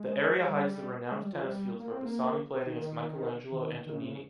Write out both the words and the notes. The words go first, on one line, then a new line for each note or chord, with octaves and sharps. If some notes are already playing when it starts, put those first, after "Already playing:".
The area hides the renowned tennis fields where Bassani played against Michelangelo Antonioni.
Already playing: G#3
G#3
G3
G#3
G3
F3
G3
A#3
C4
A#3
D#3
D#3
D#3
C#3
C3
C#3